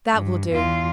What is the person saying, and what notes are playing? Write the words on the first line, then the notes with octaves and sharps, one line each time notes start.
That will do.
G2
E2 F4